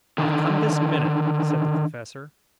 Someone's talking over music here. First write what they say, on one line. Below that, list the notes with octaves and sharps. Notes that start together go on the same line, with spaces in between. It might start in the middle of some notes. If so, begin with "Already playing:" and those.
"I'll come this minute!" said the Professor.
D3 D#3